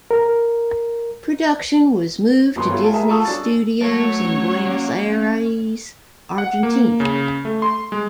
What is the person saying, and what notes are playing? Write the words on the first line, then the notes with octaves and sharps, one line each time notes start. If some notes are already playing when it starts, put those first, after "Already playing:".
Production was moved to Disney's studios in Buenos Aires, Argentina.
A#4
G1 F#2 B3 C6
E4 F4 G4 A4 C#5
G#5 A5 B5
G#4 A#4 E5 A#5
F4 A4 A5 C#6 D#6 E6
C#4 D4 C#6 A6
F#3 A3 C#5 A5
C#4
A#3
F#5
A#3
C#3
A3
C6
G#3